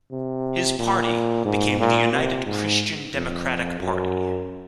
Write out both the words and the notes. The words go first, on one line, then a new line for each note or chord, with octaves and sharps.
His party became the United Christian Democratic Party.
C3
A#2
G#2
A#2
C3
G#2
F2
F#2